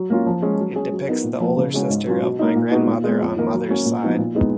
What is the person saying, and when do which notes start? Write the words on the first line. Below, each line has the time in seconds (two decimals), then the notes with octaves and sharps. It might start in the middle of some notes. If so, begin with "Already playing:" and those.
It depicts the older sister of my grandmother on mother's side.
Already playing: F#3
0.10 A#3 C#4 F4
0.27 F3
0.42 G#3 C#4
0.58 F#3
0.76 C#4 G#4
0.92 F#3
1.08 B3 D#4 A#4
1.24 A#2
1.40 F3 A#3
1.57 C#3
1.74 G#3 C#4 F#4
1.89 G#2
2.07 F#3 C#4 F4
2.22 B2
2.39 A#3 D#4
2.56 A#2
2.71 G#3 B3 D#4 F#4
2.87 A#2
3.04 G#3 B3
3.21 F2
3.36 D#3 A#3 D#4 A#4
3.53 F#3
3.69 A#3 C#4 F#4
3.85 A#2
4.03 F3 B3 D#4 F#4
4.18 A#2
4.35 G#3 B3 D#4